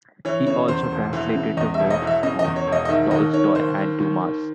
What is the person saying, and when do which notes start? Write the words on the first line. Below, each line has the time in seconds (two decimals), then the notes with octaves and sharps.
He also translated the works of Tolstoy and Dumas.
0.25 E3 C#5
0.47 C#3 C#5
0.68 E2 C5
0.92 E1
1.13 E3
1.35 C#3
1.57 E2 D#5
1.74 E5
1.80 E1
1.90 D#5
2.02 E3
2.07 E5
2.23 C#3 D#5
2.39 D#5
2.45 E2
2.56 C#5
2.67 E1
2.72 D#5
2.85 D#5
2.89 D#3 E5
3.11 D#2 D#5
3.33 D#3 C#5
3.55 D#2 C5
3.78 D#3
3.99 D#2
4.21 D#3